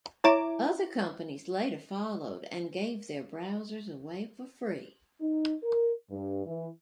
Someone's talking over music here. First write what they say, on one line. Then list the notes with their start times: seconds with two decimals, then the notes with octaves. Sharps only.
Other companies later followed and gave their browsers away for free.
0.24 E4 C#5 E5 A#5 D6
5.21 D#4
5.63 A#4
6.11 G2
6.46 E3